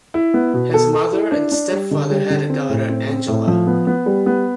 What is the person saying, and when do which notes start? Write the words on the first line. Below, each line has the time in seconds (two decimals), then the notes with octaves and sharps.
His mother and stepfather had a daughter, Angela.
0.14 E4
0.34 B3
0.54 B2
0.74 A4
0.93 A4
1.12 E4
1.32 D4
1.52 D4
1.71 G3
1.91 D3
2.10 G3
2.30 D3
2.50 C4
2.70 A2
2.89 C4
3.09 C4
3.28 A2
3.48 F3
3.67 B3
3.87 B3
4.06 G3
4.26 B3